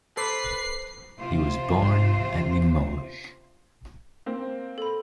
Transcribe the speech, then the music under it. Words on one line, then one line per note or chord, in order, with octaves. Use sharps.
He was born at Limoges.
A4 B4 C5 D6 C7
C3 F4 C5
A#3 C4
A4 B5